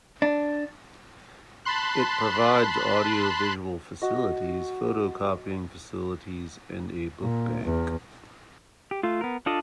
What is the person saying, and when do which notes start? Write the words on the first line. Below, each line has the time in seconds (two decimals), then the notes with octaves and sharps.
It provides audio visual facilities, photo copying facilities, and a book bank.
0.22 D4
1.65 A5 B5 C6 F#6
4.02 F#4 D#5
7.22 A#2
7.64 E2
8.91 G4
9.03 A3 F4
9.21 B3 A#4
9.46 D4 F4 A4 D5 D#5